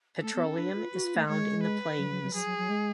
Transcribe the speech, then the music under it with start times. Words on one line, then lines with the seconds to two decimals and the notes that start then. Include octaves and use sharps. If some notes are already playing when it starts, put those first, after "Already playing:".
Petroleum is found in the plains.
0.22 A3 A4
0.34 B3
0.45 C#4
0.56 D4 B4
0.75 F4
0.93 F#4
1.04 F4
1.15 A3
1.27 G#3 C#5
1.63 B4
1.98 F#3
2.10 F#3
2.23 F#3
2.34 F#3 G#4
2.45 F#3
2.57 F#3
2.69 G#3